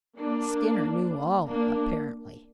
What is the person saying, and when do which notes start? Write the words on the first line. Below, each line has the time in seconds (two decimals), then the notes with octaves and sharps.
Skinner knew all, apparently.
0.17 A#3 D4
1.47 A#3 D4